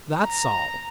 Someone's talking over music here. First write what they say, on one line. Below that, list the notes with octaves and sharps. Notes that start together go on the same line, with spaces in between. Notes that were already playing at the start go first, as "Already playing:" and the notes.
That's all.
A#5